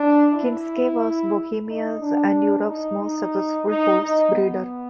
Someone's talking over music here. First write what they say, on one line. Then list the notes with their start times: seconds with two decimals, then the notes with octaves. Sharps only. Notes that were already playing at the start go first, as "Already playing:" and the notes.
Kinsky was Bohemia's and Europe's most successful horse breeder.
Already playing: D4
0.33 E4
1.67 D#4
2.00 D4
2.67 D#4
3.00 D#4
3.67 D#4
4.01 D#4
4.34 B3